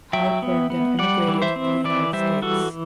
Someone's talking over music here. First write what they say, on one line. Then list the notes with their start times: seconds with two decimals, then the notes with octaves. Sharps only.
Halpern then emigrated to the United States.
0.13 F#3 E5 G5
0.42 B3
0.70 B3
0.99 G3 D5 F#5
1.28 E3
1.42 C5 E5
1.56 C4
1.84 E3 B4 D5
2.13 G3 C5 E5
2.42 E3 F#4 A4